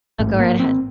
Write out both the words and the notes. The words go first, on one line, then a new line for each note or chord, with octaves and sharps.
Oh, go right ahead.
A1 G#2 A3
A#3
C4